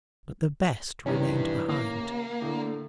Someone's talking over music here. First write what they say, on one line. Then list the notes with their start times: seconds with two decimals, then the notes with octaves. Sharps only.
But the best remained behind.
1.06 G2 C3 D#3 E3 C#4 D4
1.69 A#3
2.42 A2 D3